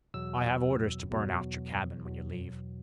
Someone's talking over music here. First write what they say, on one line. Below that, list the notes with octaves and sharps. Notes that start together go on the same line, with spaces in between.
I have orders to burn out your cabin when you leave.
E2 B2 F#3 E6
E2 B2 F#3
E2 B2 F#3